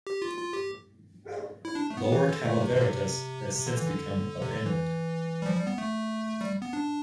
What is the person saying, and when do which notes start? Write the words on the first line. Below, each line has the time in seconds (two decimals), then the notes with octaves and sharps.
Lower Calaveritas has since become abandoned.
0.07 G4
0.22 F4
0.38 F4
0.53 G4
1.65 E4
1.75 D4
1.90 A3
1.97 B3
2.12 E3
2.29 D3
2.45 A3
2.61 C3
2.70 B2
2.76 D3
2.81 C3
2.92 C3
3.56 C3
3.67 D3
3.77 E3
3.87 D3
4.42 C3
4.51 D3
4.66 E3
5.42 G3
5.46 F3
5.56 G3
5.67 B3
5.78 A3
6.41 G3
6.62 B3
6.73 D4